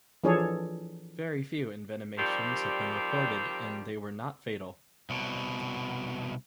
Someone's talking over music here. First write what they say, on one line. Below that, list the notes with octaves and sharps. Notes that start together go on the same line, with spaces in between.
Very few envenomations have been reported and they were not fatal.
E3 F3 D4 G#4 A4 C#5
D#3 F3 G3 C4 G4 D5
C2 B2